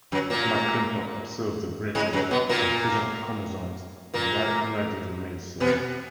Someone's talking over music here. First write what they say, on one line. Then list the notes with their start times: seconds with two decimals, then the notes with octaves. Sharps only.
McClintock observed the breakage and fusion of chromosomes in irradiated maize cells.
0.12 F#2 F#3
0.30 A#2 A#3
1.95 G#2 G#3
2.13 F#2 F#3
2.31 B2 B3
2.49 A#2 A#3
4.14 A#2 A#3
5.60 B2 B3